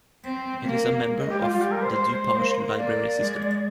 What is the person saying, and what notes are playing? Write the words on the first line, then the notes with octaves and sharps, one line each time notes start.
It is a member of the DuPage Library System.
C4
A#3
G#3
D#5
G4
F4
G3 F4
G4
A#4
C5
G#3 C5
A#3
A#3 D5
G#3